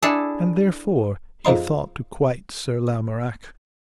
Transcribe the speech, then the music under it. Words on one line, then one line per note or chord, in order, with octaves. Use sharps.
And therefore he thought to quite Sir Lamorak.
D4 E4 G#4 A4
F2 G#2 F3 D#4 C6